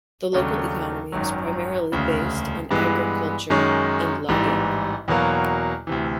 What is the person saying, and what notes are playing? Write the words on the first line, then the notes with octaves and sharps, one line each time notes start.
The local economy is primarily based on agriculture and logging.
D#2 C#3 F#3 A3 D4
G#1 F#2 D#3 F#3
E1 D2 C#3
G2 E3 G#3 B3
F#2 D#3 G#3 C#4
A1 G#2 E3 G3
E2 B2 F#3 A#3
D2 C3 E3